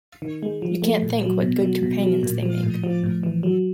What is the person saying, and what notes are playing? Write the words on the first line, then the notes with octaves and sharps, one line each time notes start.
You can't think what good companions they make.
D#3
G#3
F3
A3
A#2
F#3
B2
F#3
B2
F#3
A#2
F3
A2
F3
A2
E3
F#3